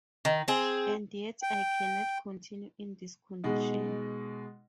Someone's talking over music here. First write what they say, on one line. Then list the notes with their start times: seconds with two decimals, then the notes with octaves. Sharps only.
And yet I cannot continue in this condition!
0.25 D#3
0.48 C4 G#4
1.42 G5
3.44 B2 G#3 B3 D#4